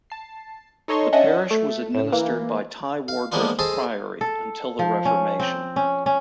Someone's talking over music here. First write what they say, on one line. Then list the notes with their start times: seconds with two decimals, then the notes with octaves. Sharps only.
The parish was administered by Tywardreath Priory until the Reformation.
0.10 A5 C7
0.88 D#4 A4 C#5 D#5 C6 C#6
1.13 C#4 D4 D#5 E5 F#5
1.50 A3
1.92 A2 E7
2.12 E3 A#3
3.08 F5
3.32 F3 G#3 A#3 B3 D4 F4
3.59 G#4 A4 C5 D#5 A5
4.21 A4
4.79 F3
5.05 C#4
5.40 C4
5.76 C#4
6.06 C#4